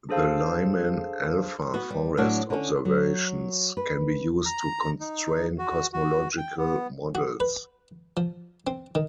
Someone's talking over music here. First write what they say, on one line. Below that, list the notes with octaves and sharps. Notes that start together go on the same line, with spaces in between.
The Lyman-alpha forest observations can be used to constrain cosmological models.
D4 G#4 A4 C5 F5 A5
B3 F#4
G3
A2 F#3 D4 F#4
D3 C#4
F#3
B4
A#5
D#4
F#4
F#4
G5
B3
F#4
B4
F3
C4
D#3